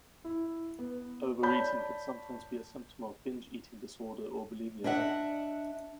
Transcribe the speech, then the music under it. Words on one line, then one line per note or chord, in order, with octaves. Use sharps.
Overeating can sometimes be a symptom of binge eating disorder or bulimia.
E4
B3
C#5 D5 A5 B5 G6
D4 D#5 E5 F#5